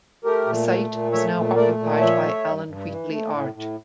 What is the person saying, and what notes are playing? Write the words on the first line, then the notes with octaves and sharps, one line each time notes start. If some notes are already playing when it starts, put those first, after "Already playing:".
The site is now occupied by Alan Wheatley Art.
A3 G4 A#4
A#2
A3
A#2
A3 C#5 E5
A#2
A3 A#4 D5
A#2
F3 C#5 E5
A3
G2
G2
E3
A3
A2
A2